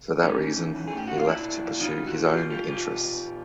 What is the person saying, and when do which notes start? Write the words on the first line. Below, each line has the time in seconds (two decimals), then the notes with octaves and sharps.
For that reason, he left to pursue his own interests.
0.23 A2 C#4 D#4
0.41 A2
0.59 E3
0.76 E3
0.88 G#4
0.93 A2 G4
1.07 A2 F#4
1.17 F4
1.28 A#2 D4 E4
1.46 A#2
1.64 F3
1.80 F3 D#4 F4
1.98 A#2
2.07 E4 F#4
2.15 A#2
2.27 F#4
2.33 B2 F4 G4
2.50 B2 F4 G4
2.68 B2 F4 G4
2.85 B2
3.04 B2
3.21 B2